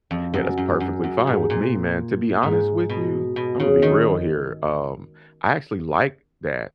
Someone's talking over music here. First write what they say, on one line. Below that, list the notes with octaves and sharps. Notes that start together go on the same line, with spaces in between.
Yeah. That's perfectly fine with me, man. To be honest with you, Imma be real here, um, I actually like that.
F2
F#2
F#2
F#2
F#2
G#2
A#2
G#2
B2
B2
C#3
D#3